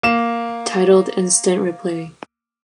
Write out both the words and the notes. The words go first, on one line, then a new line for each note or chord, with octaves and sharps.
Titled Instant Replay!
A#3 E7